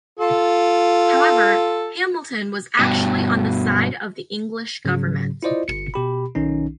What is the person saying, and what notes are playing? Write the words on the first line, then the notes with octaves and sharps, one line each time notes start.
However, Hamilton was actually on the side of the English Government.
F4 A4
G2 B2
G#2 C#3 F#3
E4 F4 C5 D5 D#5
G1 C#7
B2 G4 B5
B1 D#3 C#4 D#4